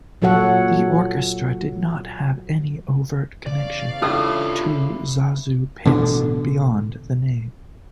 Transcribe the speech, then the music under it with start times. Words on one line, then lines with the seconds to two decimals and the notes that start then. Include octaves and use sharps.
The Orchestra did not have any overt connection to ZaSu Pitts beyond the name.
0.22 A#2 F#3 A4 C#5 F#5
3.46 E2 C#3 D5 F5
4.02 C#4 D4 E4 F4 A4 C#5 E6
5.86 A1 B2 D3